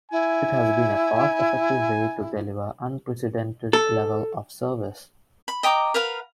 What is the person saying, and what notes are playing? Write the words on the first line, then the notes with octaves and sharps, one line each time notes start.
It has been a cost-effective way to deliver unprecedented level of service.
E4 G#5
A4
B5
D#5 G5 A#5 D6
A#4 B4 F5 F#5